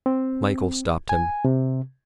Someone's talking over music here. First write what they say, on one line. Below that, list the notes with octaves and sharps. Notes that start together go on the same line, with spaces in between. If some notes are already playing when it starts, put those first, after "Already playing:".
Michael stopped him.
C4
G#5
C3